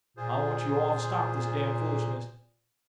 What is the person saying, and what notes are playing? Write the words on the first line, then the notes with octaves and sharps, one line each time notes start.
I want you all to stop this damned foolishness.
A#2 F4 G#4 C5